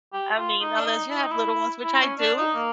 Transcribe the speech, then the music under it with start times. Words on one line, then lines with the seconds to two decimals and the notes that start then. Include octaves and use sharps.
I mean, unless you have little ones, which I do,
0.13 G4
0.37 F4
0.61 D#4
0.78 D4
0.86 D#4
1.10 E4
1.20 D#4
1.31 E4
1.83 E4
2.01 C#4
2.19 D4
2.37 D#4
2.55 A#3